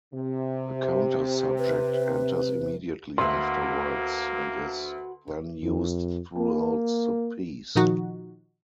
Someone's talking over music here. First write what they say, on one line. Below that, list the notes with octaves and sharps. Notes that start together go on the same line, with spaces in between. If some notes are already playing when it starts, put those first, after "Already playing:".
A countersubject enters immediately afterwards and is then used throughout the piece.
C3
B4
D2 A#3 F#4 B4 E5 F#5 C6
F2
A#3
A#2 D#3 F3 D#4 F#4